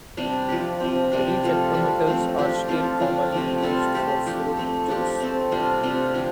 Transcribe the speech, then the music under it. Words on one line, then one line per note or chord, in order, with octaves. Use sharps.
Refractometers are still commonly used for fruit juice.
C3 G3 D4
F3 D4 G4
C3 F3 C4
C3 G3 D4
F3 A3 F4 A4
G3 D4 F4
F3 A3 C4
F3 D4 G4
F3 C4 F4 A4
F3 A3 D4 F4
C3 F3 A3
G3 C4 F4 A4
A3 C4 G4
F3 D4 G4
A3 C4 A4
F3 D4 G4
A3 C4 A4
C3 G3 D4 F4
C3 A3 D4 F4
D3 F3 D4